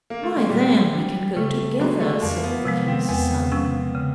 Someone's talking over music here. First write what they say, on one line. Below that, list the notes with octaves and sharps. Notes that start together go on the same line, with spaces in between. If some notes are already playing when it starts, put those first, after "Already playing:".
"Why, then, we can go together," said the King's Son.
A#3
A3
G#3
A#2 G3
F#3 A3 D4
C#3 A3
F#3 G#3 B3 D4 F#4
A3
F2 A#3
B3
C3 F3 G#3
C4
E2 B3
C3 F3 G#3 C#4
C#3